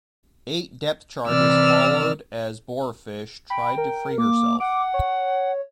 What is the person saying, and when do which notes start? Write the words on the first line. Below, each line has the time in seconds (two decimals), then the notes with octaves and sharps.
Eight depth charges followed as "Boarfish" tried to free herself.
1.28 C3 E3 D5 E6 F6
3.50 G5 B5
3.78 A#4
4.18 A#3 D6
4.60 F#5 D6
4.94 C#5